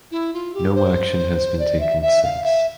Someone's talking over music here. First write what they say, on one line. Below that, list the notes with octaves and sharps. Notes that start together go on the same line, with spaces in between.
No action has been taken since.
E4
F4
G4
C5
D5
E5
E5
F5
E5